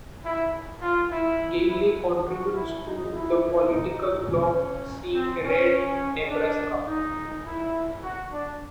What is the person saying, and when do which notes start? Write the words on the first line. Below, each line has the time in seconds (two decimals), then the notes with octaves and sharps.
Gailey contributes to the political blog Seeing Red Nebraska.
0.24 E4
0.81 F4
1.11 E4
1.68 E4
2.25 F#4
2.54 E4
2.83 D#4
3.12 E4
3.69 D#4
4.27 C#4
5.13 C4
5.42 C#4
6.29 D4
6.86 D#4
7.44 E4
8.02 F#4
8.30 D4